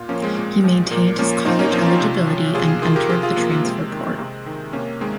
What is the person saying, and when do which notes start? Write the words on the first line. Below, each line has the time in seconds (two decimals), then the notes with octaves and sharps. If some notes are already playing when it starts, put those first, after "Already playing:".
He maintained his college eligibility and entered the transfer portal.
Already playing: A#2 F4
0.09 F3 A#3 C#4
0.22 G#3 C4
0.37 A#2
0.64 F3
0.91 A#2 A#3
1.18 F3 A#3 C#4
1.45 A#2 C4 D#4
1.59 A#3 C#4
1.72 F3 C4 D#4
1.86 C#4 F4
2.00 C3
2.27 F3
2.54 C3 F4 G#4
2.68 F4 G#4
2.82 D#3 F4 G#4
2.96 G4 A#4
3.09 C3 F4 G#4
3.23 F4 G#4
3.37 F3 A#3
3.51 A#3
3.64 C3 G#3 C4
3.91 D#3
4.19 C3
4.46 D#3
4.73 C3 A#3 C#4
5.00 D#3 G#3 C4